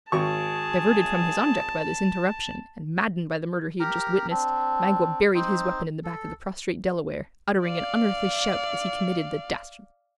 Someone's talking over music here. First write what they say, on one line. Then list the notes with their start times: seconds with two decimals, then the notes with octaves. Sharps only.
Diverted from his object by this interruption, and maddened by the murder he had just witnessed, Magua buried his weapon in the back of the prostrate Delaware, uttering an unearthly shout as he committed the dastardly deed.
0.12 G#1 G#4 A5 C#6
3.80 G4 A#4 A#5
4.30 C4 D4
5.34 C4 D#4 C5
6.04 A4
7.64 D5 F5